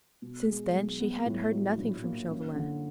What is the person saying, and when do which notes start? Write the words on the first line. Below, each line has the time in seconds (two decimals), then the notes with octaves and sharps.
Since then she had heard nothing from Chauvelin.
0.22 B2
0.48 G#3
0.74 B1
1.00 B3
1.26 A2
1.52 F#3
1.78 A#1
2.04 A#3
2.30 F#2
2.55 D3